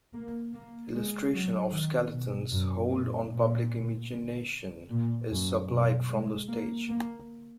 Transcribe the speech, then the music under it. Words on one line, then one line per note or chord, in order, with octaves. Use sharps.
Illustration of Skelton's hold on public imagination is supplied from the stage.
A#3
A#3
G#3
F#3
D#3
B2
F#2
A#2
A#2
A#2
F#2
B2
G#3
A#3
A#3